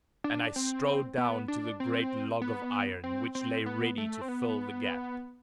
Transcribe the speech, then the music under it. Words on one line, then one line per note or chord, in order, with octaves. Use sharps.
And I strode down to the great log of iron which lay ready to fill the gap.
D4
C4
B3
D4
C4
B3
C4
C4
B3
A3
C4
B3